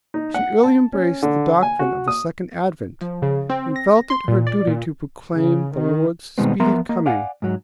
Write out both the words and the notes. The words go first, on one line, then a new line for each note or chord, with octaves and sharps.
She early embraced the doctrine of the Second Advent, and felt it her duty to proclaim the Lord's speedy coming.
D#4
F#5
A5
C#4
D3
G#5
F#4
D#6
F3
C#3
C4
A#6
C6
A#2
D5
A#2
C#3
D#3
B2 D#3 G3 G#3 B3 C4
F3 B3 A#4 E5 A#5 C6
A#3 D#5
D5 F5 F#5 G#5
G#2 F#3